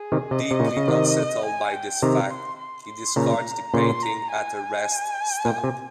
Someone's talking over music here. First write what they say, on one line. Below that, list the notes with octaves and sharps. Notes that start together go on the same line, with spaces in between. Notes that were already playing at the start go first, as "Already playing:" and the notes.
Deeply unsettled by this fact, he discards the painting at a rest stop.
Already playing: G#4
C3 D#3
C3 D#5
C3
A#2 C#3
C#3
C3 D#3
G#5
G5
C3 D#3 A#5
C6
C6
C6
A#2 C#3 A#5
A#2 C#3 C6
A#5
G#5
A#2
C3